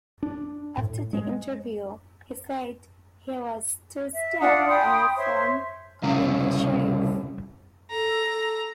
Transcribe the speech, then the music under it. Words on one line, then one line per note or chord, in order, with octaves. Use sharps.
After the interview, he said he was two steps away from calling the sheriff.
D4
A2
G#3
E5
D4 F4 F#5 D#6
G5 B5 C6 D#6
C5 C#5 E5 C6
C2 C#3
A4 A#5